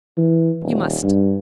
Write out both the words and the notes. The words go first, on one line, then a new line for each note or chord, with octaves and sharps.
You must.
E3
D#1
G2